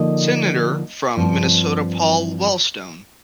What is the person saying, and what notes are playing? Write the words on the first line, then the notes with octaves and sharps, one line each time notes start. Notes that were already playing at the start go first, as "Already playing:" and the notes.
Senator from Minnesota Paul Wellstone.
Already playing: D3 F3 A#3 D#4 D#5
G2 F3 C4